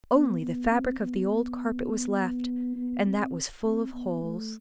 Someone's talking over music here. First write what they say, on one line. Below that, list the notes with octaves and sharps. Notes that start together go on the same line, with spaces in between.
Only the fabric of the old carpet was left--and that was full of holes.
B3
B3
C4
B3
B3
C4
C4
B3
A3